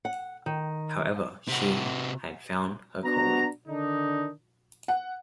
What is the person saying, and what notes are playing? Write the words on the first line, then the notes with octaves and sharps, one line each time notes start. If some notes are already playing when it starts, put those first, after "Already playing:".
However, she had found her calling.
F#5
D#3
C3 F#4
B3 D4 F#4 A#5
D3 D#3 D4 D#4
F#5